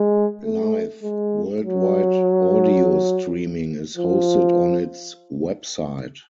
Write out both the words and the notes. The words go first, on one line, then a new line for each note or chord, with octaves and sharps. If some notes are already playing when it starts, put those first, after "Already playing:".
Live worldwide audio streaming is hosted on its website.
Already playing: G#3
A3
G#3
F#3
F3